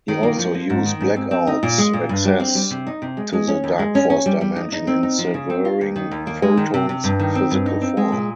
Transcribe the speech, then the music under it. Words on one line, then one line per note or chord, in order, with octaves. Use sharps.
He also used Blackout's access to the Darkforce dimension in severing Photon's physical form.
D#3
A#3
F3
A#3
G#2
D#3
G#2
C4
C4
D#4
A#2
G#3
A#2
G2
G3
C4
G3
C3
D#4
C3
G#3
G#3
C#4
D#2
G#3
C#4
C#4
G3
G3
D#4
D#4
C4
D#4
F3
C#3
C4
F4
D#2
D#3
D#2
A#3
G#3
D#3
C3
C3
G2
D#3
C4
G2
D#4
C4
G#3
A#2